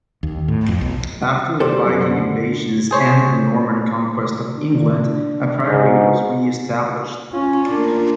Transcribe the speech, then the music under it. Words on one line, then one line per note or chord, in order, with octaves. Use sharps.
After the Viking invasions and the Norman conquest of England, a priory was reestablished.
D#2
A2
F2
B1
G4 A4 C5 D5
F#2
D3
G#4 C5 C#5
D4
G#2
C#4 F4
A#3 D4